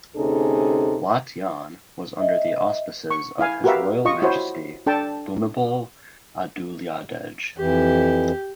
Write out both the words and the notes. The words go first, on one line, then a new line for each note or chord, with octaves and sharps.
Wat Yan was under the auspices of His Royal Majesty Bhumibol Adulyadej.
D2 C3 C#4 D#4 G#4 A4
D#5 E5
C#6
E4 F5 G#5
F#4 G4 A#4 B4 E5 F5
F4 D#5 C#6
E4 F#4 C5 C#5
D4 A4 G5 A5
F2 E3 G4